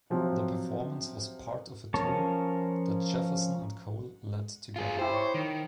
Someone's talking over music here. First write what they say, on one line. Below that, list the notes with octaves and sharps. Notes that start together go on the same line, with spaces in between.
The performance was part of a tour that Jefferson and Cole led together.
C3 F3 F#3 C4
F3 C#4 A#4 C#5 A5
F4 G#4
E4 G4 C5
C#5 C#6
D#3